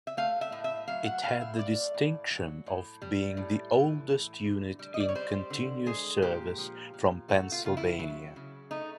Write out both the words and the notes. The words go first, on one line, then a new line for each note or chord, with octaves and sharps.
It had the distinction of being the oldest unit in continuous service from Pennsylvania.
E5
A3 F5
E5
A2
E5
F#3 F5
F#5
A2 F5
E5
A3 D5
A2
F#3
A2
G3
A2
E3
A2
D3
G3
D#5
D5
C#5
G3 C5
D3
G#3 G#4
A#2 G4
F3
A#2
A3 F#4
F4
C#3 F4
E4
F#3
C#3
A3 D#4